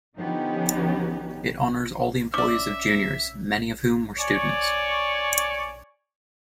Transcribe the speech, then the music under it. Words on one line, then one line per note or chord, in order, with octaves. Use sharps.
"It honors all the employees of Junior's, many of whom were students."
D3 F3 B3 C#4 D#4 G4
C#4 D5 E5 D6
C#5 D5 G#5 C#6